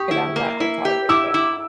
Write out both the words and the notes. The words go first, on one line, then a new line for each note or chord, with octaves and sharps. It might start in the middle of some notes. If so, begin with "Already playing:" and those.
and I'm not gonna tolerate that.
Already playing: G4 C#6 D#6
E4
A#3
E4
G4
E4 D6 E6
E4